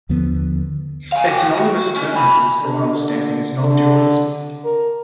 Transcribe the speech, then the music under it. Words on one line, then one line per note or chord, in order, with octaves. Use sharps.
A synonymous term for this broad understanding is nondualism.
D#2 D3 F3 B3
F5 G#5
F#4 G5
F#4
C#4
G#5 B5
D3
D3
A#4